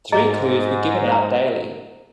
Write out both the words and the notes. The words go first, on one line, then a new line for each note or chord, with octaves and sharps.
Three clues were given out daily.
G#2 G#4 D#5 A#5
C5 F5 A#5